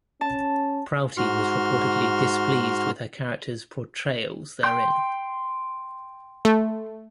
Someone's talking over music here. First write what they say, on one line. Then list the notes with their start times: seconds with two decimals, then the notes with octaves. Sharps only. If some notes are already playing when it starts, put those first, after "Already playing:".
Prouty was reportedly displeased with her characters' portrayals therein.
0.21 C#4 A5
1.17 G#2 F#4 C6 F6
4.63 G5 C6 G6
6.45 A3